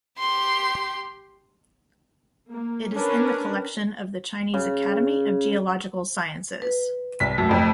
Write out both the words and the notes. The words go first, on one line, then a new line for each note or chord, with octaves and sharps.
It is in the collection of the Chinese Academy of Geological Sciences.
G4 C6
A#3
C#4 D4 A#4 B4
C#3
B4
C2 B6
F#2 A3
F1 F2